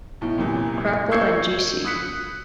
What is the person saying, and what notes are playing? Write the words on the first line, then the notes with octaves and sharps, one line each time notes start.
Crapo and G.-C.
B1 A2
C2 F#2 A#2 E3
C#6 E6 G6 G#6 C7 C#7
D#6 F#6 B6 C#7